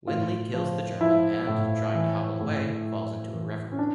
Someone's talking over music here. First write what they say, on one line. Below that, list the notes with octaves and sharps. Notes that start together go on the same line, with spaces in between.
Winley kills the German and, trying to hobble away, falls into a river.
A2 F4
F3
F3 E4
A2
E3
A2
A2
E3
C#4
D4